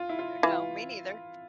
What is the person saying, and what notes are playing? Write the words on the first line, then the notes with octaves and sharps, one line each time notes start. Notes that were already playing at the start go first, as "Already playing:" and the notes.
Uh, no, me neither.
Already playing: F4
E4
F4
E3 F4